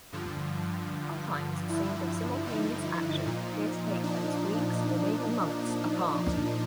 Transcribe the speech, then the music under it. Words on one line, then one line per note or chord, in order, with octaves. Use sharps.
Sometimes scenes of simultaneous action appear to take place weeks or maybe months apart.
G2 D3 F3
E4
D#4
A#2 F3
D4